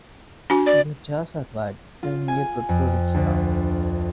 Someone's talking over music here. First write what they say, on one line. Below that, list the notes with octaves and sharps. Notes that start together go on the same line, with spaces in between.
Their jaws are wide, framing a protruding snout.
D4 F#4 G#5
D5
F4
G#5
F2
D2